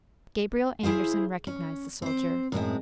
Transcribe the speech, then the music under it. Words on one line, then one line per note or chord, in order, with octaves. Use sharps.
Gabriel Andersen recognised the soldier.
E4 G#4 C5 F5
C#4
C4 C5
F#2 A2 G#3 C4